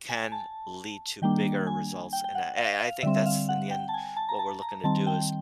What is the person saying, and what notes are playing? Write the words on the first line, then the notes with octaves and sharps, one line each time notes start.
can lead to bigger results, and I I I think that's, in the end, what we're looking to do is,
G#5
A5
D#3 G3 A#3 D4 G5
G#5
G5
G5
F#5
F5
F5
D3 G3 C4 E5
E5
F5
F#5
G5
A5
G#5
A5
A#5
A5
A#5
D#3 G3 C4 A5
G5